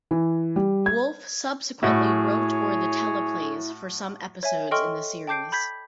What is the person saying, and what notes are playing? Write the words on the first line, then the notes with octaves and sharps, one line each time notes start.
Wolfe subsequently wrote or the teleplays for some episodes in the series.
E3
G3
G#6
A2 E4 F#4 G#4 C#5
C#5 E5 G#5
A4 D#5 G5 C6 C#6 F6
G5 A5 D6 G6 C7 D7
B5 G6 G#6 B6